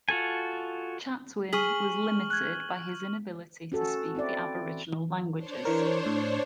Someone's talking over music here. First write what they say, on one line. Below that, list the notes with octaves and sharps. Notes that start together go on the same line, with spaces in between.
Chatwin was limited by his inability to speak the Aboriginal languages.
F4 F#4 A4 G#5
G#4 C#6 F6 B6 F#7
F#6 G#6
C#4 F#4 A4
C4 E4 D5
D4 C5 C#5
E3 A#4
A2